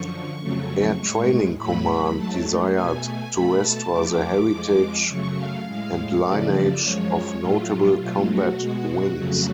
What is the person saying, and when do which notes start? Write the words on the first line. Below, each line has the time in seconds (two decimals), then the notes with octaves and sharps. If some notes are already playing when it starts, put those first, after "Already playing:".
Air Training Command desired to restore the heritage and lineage of notable combat wings.
Already playing: F#2 D3 F3 C#6
0.42 F2 C#3 F#3 A3
0.99 A2 G#3
1.58 A2 F#3 A3 B5
2.16 G#2 F#3 A3 A5
2.74 B2 A3 G#5
3.32 B2 A3 B5
3.62 A5
3.91 F2 F3 A3 D6
4.50 F2 F3 G#3
5.08 F#2 C#3 F#3 A3 C#6
5.37 F5
5.67 A2 G#3
6.25 F#2 C#3 F3 A3 D5
6.83 F#2 F3 G#3 C#5
7.41 A2 F#3 A3 F4
7.99 B2 F#3 A3 F4
8.30 F#4
8.59 B2 G#3 F#4
9.17 F2 C#3 F#3 A3